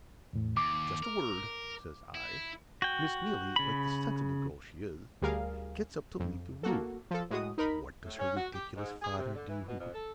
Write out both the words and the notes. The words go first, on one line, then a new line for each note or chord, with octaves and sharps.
'Just a word,' says I. Miss Neelie, like the sensible girl she is, gets up to leave the room; and what does her ridiculous father do?
E2 A2
D#2 D6
A#4
E4
F#4 G5
C#3 B5
D2 G3 G#4 A#4 F5
F2
A#3 F#4 A4
F3 A4
A2 G#3 F#4 D#6
D#4 A#4 B5
A2
C#4
F#4
G4
G#2
G#4
C3
D3
E3
B2
F2
A4